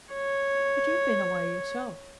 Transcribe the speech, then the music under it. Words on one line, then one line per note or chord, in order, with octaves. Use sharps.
But you've been away yourself.'
C#5